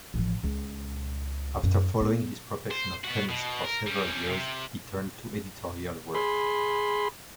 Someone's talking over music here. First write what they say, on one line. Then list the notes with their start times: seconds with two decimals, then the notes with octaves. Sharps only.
After following his profession of chemist for several years, he turned to editorial work.
0.14 A1 F3
0.43 C#2
1.63 F#2
2.00 B3
2.71 C5
3.04 B3 F#4
3.29 B2
3.64 A#4
3.87 G3 C#4
4.28 C3
6.15 G#4 B5 C6